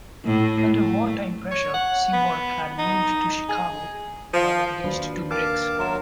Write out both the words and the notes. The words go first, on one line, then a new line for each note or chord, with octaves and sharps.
Under wartime pressure, Seaborg had moved to Chicago while engaged to Griggs.
A2
A3
C#5
F#5
B3
D#4
G#4
F3
D#2 D4 F#4 B4
A#4 F5 G5 A5 D6
F#3 A#4 E5 C6 E7